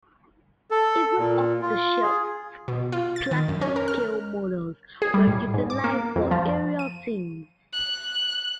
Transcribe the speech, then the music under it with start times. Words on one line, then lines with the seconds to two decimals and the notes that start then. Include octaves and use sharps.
Even off-the-shelf plastic scale models were utilized for aerial scenes.
0.71 A4
1.18 A#2
1.62 F4
2.02 G#4
2.68 B2
2.92 F4
3.16 A6
3.31 D#3
3.48 F#2
3.61 C#4
3.76 A#4
3.88 F6
5.02 G#4
5.14 G3
5.27 A2
5.54 G#2
5.70 D6
5.84 A#3
6.16 F2
6.31 F3
6.79 D#7
7.73 F#6